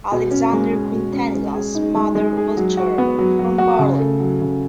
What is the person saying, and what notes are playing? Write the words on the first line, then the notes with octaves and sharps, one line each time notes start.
Alexandre Quintanilha's mother was German, from Berlin.
B2
C#4
G#3
G#4
B2
C#4
G#3
G#4
D#4
G#3
G#3
G#4
F#3
F#4
B3
F#3
F#3
F#4
C#3
A3
F#3
C#3